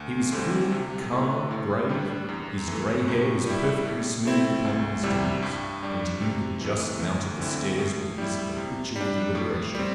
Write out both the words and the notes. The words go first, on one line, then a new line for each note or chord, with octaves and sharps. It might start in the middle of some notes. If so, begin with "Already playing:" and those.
He was cool, calm, grave, his gray hair was perfectly smooth upon his temples, and he had just mounted the stairs with his habitual deliberation.
Already playing: D2
D3 G3 C4
C3
A3 E4
A2
G3 D4
E2
E3 A3
G2
G3 E4
A2
A3 C4 E4
C2
C3 G3 E4
G2
G3 D4
C3
E3 A3
D2
D3 C4 E4
A2
G3 E4
C3
G3
D4
A2
G3 C4